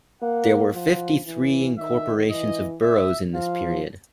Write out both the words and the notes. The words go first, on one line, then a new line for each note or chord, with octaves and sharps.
There were fifty-three incorporations of boroughs in this period.
A#3 F#5
F3 F#5
E3
D#3 E5
E3 D#5
E5
F3 F5